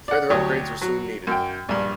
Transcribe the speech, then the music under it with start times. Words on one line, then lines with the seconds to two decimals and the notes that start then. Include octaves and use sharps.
Further upgrades were soon needed.
0.08 D5 F#5
0.30 D2 F#3 G4 C#5 C#6 D#6
0.82 F#3
1.27 F#2 G5
1.69 A#1 G2